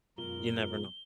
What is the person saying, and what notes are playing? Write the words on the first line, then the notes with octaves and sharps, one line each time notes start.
You never know.
F#2 B2 G#3 F4 A#4 G7